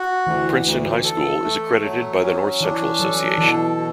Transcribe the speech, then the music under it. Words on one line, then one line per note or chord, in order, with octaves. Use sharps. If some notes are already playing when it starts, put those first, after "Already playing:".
Princeton High School is accredited by the North Central Association.
Already playing: F#4
D2 E3
D2
A4
A3
F#3
C#4
E3 D4
F#3 A4
B2 E3
B2